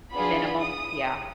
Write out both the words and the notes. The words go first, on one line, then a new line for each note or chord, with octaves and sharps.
Minimum, yeah.
B3 D4 F4 G#4 B5
D#6